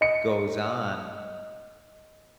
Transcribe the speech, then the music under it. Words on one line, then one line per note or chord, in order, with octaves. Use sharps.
goes on,
D#5 C#7